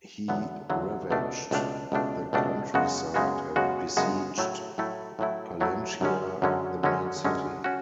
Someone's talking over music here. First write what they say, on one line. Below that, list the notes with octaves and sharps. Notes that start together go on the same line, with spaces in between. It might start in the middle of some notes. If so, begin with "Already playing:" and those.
He ravaged the countryside and besieged Pallantia, the main city.
E2 D3 F#3 B3
E2 D3 F#3 B3
C#2 B2 A3 D4
C#2 B2 A3 D4
C#2 B2 A3 D4
C#2 B2 A3 D4
F#2 C#3 G#3 B3 F#4
F#2 C#3 G#3 B3 F#4
F#2 C#3 G#3 B3 F#4
F#2 C#3 G#3 B3 F#4
A2 F#3 A3 E4
A2 F#3 A3 E4
A2 F#3 A3 E4
A2 F#3 A3 E4
F#2 D3 G#3 C#4
F#2 D3 G#3 C#4
F#2 D3 G#3 C#4
F#2 D3 G#3 C#4
C#4 F#4